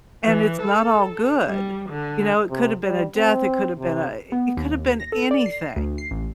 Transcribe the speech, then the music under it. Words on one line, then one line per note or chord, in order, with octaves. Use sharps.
and it's not all good. You know? It could've been a death, it could've been a eh it could have been anything.
E3
A4
G3
D3
C3
G3
C4
C3
B3
D#2
A#6
A4
D5
C7
D2
C7
A1